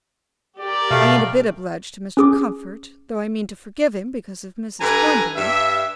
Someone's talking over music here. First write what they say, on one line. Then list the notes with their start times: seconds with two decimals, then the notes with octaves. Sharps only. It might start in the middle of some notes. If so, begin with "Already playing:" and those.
I ain't a bit obliged to Mr. Comfort, though I mean to forgive him because of Mrs. Cornbury.
0.60 G4 A#4 D5
0.91 B2 A3 F5
2.17 C#4 G#4 D6
4.80 G2 A4 B4 G#5 A#5
5.36 G2 E5